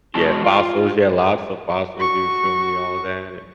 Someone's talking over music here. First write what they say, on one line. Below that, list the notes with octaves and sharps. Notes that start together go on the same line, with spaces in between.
Yeah, fossils, yeah, lots of fossils, he was showing me all of that, and
E2 B2 G#3 F#4 A5
F4
F#4 C#6